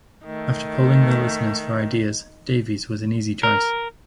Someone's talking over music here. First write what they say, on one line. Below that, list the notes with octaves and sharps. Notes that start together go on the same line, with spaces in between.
After polling their listeners for ideas, Davis was an easy choice.
D#3 A3
A#4